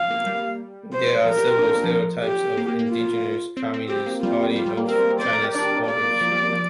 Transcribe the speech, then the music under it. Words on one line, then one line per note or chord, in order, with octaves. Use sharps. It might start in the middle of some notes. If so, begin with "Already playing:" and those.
There are several stereotypes of indigenous Communist Party of China's supporters.
Already playing: F5
A#3
G3
C5
F3 A#4
G4
F4
D4
C4
A#3
F3
G4
A#3
A#3
A#3
F4
C4
C4
C4 G4
A#3
G3 F4
G3 F4
G3
A#3
C4 A#4
C5 D5
A#4
G4
D4 D5
A#3 D5
F3
G3
A#3
F3